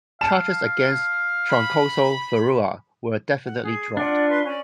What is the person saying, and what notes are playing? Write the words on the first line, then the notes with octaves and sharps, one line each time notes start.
Charges against Troncoso Ferrua were definitely dropped.
F5 A5 E7
B5
F#5
G#4
D4 F4 D5 F#5
B4 C6
C#4 D5